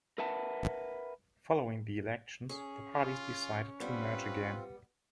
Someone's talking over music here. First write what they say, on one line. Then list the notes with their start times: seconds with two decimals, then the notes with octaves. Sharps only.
Following the elections the parties decided to merge again.
0.18 A#4 B4 E5 F#5 A5
2.49 C#4 G#4
2.94 F4
3.80 G3 B3 C4 F4 B4